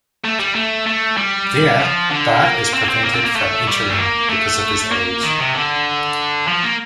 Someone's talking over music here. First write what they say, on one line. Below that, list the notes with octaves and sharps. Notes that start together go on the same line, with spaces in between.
There, Bart is prevented from entering because of his age.
A3
G3
A3
A3
G3
F3
D3
A#3
C4
A#3
C4
A#3
C4
A#3
A3
G3
A3
A#3
A3
A#3
D#3
C3
D3
F3
A#3